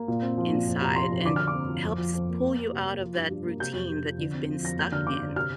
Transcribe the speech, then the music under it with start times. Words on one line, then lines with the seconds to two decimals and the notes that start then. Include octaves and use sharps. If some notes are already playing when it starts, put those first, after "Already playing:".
inside and helps pull you out of that routine that you've been stuck in,
Already playing: A#3
0.08 A#2
0.22 C4
0.38 F3
0.52 A#2
0.67 F2
0.81 C3 A#5
0.96 F3 C6
1.11 F2
1.25 D3 D6
1.36 D3 F6
1.48 D6
1.55 C4
1.69 F3
1.84 F2
1.98 F3
2.14 F2
2.29 A#3
2.43 A#3
2.58 A#3
2.72 C3
2.86 A#3
3.01 F3
3.16 G2
3.30 G2
3.45 A#3
3.60 C3 G6
3.74 F2
3.90 C3
4.04 F3
4.19 D3
4.33 C4
4.48 F3
4.62 F2 A#6
4.77 A#3 G6
4.92 D3 F6
5.07 D3 D6
5.21 D3
5.36 C3 F6